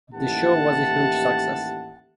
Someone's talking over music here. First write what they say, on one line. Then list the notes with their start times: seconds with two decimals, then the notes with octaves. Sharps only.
The show was a huge success.
0.13 A1 D#2 E4 G4 F#5 A5